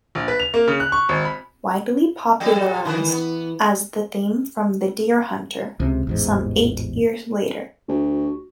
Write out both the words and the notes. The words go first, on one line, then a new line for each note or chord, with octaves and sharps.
Widely popularised as the theme from "The Deer Hunter" some eight years later.
A#1
B4
F7
A#3
C#3
F#6
C#6
G#1
B5
F3 G3 A4
D3 E3 B4
B3
C#2 C3
A1 E2 G#2
D2 F#4